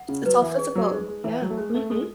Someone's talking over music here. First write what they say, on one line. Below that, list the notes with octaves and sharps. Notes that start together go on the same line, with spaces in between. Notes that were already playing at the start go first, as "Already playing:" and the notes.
It's all physical. Yeah, mhm.
Already playing: F#5
C#3
F#3 B4
E3
G#4
F#3
G#3 D#4
G#3
E3 E4
F#3
A3
G#3 C#5
A3
G#3 A4